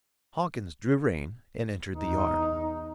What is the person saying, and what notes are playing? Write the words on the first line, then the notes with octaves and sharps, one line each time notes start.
Hawkins drew rein and entered the yard.
E2 D#4